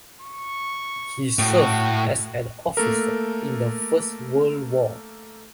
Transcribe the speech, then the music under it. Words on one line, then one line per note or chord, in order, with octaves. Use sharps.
He served as an officer in the First World War.
C#6
A2 F#4
A3 A#3 A4 A#4